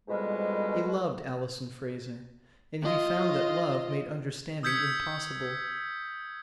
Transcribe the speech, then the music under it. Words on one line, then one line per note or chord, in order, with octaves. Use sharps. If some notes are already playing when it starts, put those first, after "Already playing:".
He loved Alison Fraser, and he found that love made understanding impossible.
F2 G#2 B2 G3 G#3
F4 D#5
D#6 E6 G6 G#6 B6 C#7